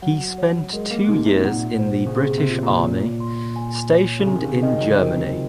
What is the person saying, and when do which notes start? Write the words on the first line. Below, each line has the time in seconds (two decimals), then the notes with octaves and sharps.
He spent two years in the British Army, stationed in Germany.
0.02 F#3 F#5
0.38 C#5
0.73 G#3 A#4
0.91 A#3
1.08 C3 D#4
1.26 C3
1.44 A#2 F#5
1.79 C5
2.06 C#3
2.15 C3 G#4
2.38 C3
2.50 F4
2.62 A#2
2.85 C#5
3.20 C6
3.56 G#5
3.91 C#5
4.20 C#3
4.27 C3 G#5
4.36 D#3
4.44 C#3
4.62 D#3 D#5
4.81 F#3
4.97 C4 A#4
5.33 F4